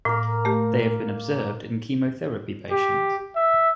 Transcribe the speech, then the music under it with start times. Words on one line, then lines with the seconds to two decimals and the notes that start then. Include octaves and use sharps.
They have been observed in chemotherapy patients.
0.05 A2 A#3 A#4
0.45 A3 G4
2.71 G4
3.36 E5